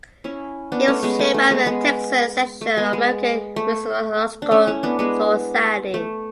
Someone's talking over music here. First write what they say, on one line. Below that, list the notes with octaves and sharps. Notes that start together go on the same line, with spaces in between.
He was chairman of the Texan section of the American Musicological Society.
C#4 E4
B3 D4
A3 C#4
G#3 B3
A3
A3
G#3 B3
G#3 B3
A3
G#3 B3
G#3
A3
D4
A3 C#4
C#4 E4
B3 D4
G#3 B3
A3